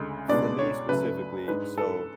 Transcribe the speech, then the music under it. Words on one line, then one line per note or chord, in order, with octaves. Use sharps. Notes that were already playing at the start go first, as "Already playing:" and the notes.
for me specifically, so
Already playing: D2 C#3 G#3
C#2 B2 G#3 B3 D4 D5
C#5
C#2 C#3 F#3 A3 B4
G#2 G#3 D4 B4
A4